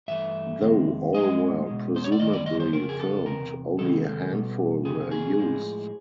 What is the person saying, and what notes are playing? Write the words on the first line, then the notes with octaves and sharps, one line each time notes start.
Though all were presumably filmed, only a handful were used.
G2 E3 A3 E5
F2 C3 D#3 G#3
A2 F3 G#3 D#5
B2 G#3
C5
C#5
D5
F#2 D#3 G3 D#5
D5
D#5
C5
F2 C#3 A#4
G#4
A4
E2 C3 A#4
C3 D#3 G#3 A4
B2 G3
F2 C3 G#4
G#4
A2 F3 G#3